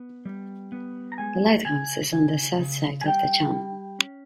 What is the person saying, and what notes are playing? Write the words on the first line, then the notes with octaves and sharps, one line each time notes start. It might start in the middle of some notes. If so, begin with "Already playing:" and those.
The lighthouse is on the south side of the channel.
Already playing: B3
G3
B3
A#5
G#3 G#5
C#3 G#5
C#3 G#5
C#3
G#5
G3 G5
G3
C#4